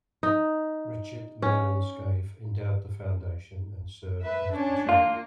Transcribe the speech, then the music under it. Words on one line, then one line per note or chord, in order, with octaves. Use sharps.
Richard Mellon Scaife endowed the foundation and served as the chairman.
D#4
C#4
B4 E5
C#4 D4
A#3 F4 F5